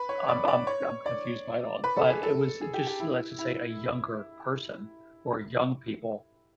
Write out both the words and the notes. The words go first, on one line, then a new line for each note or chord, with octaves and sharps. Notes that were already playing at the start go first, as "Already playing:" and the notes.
I'm I'm I'm confused by it all but, it was just let's just say, a younger person, or young people,
Already playing: B4
C#5
D5
D5
C#5
D5
B4
A4
G#4
A4
G#4
G4
G4
E4
E4